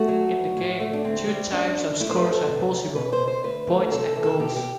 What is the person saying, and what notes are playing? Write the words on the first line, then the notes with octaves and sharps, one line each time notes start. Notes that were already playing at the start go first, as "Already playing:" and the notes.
In the game, two types of scores are possible: points and goals.
Already playing: A3 F#4
F#3
G2
A2
A3
D4
D2 C4
G3
F#2 D4
F#2
A3 E4
C5
B4
G2
A4
C3
E2
B2 B4
C5
B2
C5
D2 B4
A3
C3 A4
A4
E3
A4
B2 G4
G4